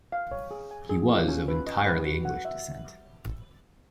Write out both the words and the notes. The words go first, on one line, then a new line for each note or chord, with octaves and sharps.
He was of entirely English descent.
F5
C#5
G#4
G#5
G#4
F4
C#4
B4
D#5
B4
F#4
F#5
E5